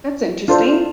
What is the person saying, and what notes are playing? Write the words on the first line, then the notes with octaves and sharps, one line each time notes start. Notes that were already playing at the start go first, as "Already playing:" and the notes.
That's interesting.
D4 F4 A4 C5